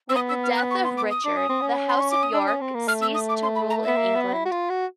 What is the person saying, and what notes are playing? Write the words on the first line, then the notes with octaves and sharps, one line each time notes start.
With the death of Richard, the House of York ceased to rule in England.
C4 E6
B3 D#6
E6
F6
F#6
C#6
C6
D6
D#6
D4 D6
C#4 D#6
C4
C#4
C6
C#6
D6
D#6
D4 E6
C#4 D#6
C4
A#3
A3 F6
E6
D#6
D6
C6
B5
A#5
B3 E5
A#3
B3
E4
F#4
F4
F#4